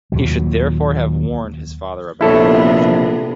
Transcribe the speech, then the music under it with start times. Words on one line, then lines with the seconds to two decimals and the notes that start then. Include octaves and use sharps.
He should therefore have warned his father about her.
0.12 D#2 A#2 F#3
2.21 A#1 C3 B3 E4 A4 C#5